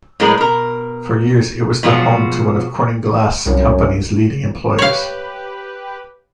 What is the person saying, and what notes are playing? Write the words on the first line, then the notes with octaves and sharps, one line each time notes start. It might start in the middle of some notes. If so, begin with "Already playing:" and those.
For years it was the home to one of Corning Glass Companies leading employers.
A2 F#3 G#3 A#4 B4
B2 A#4
B2 F3 F#3 G#3 F4 F#4
C2 F#2
G4 B4 C#5 F5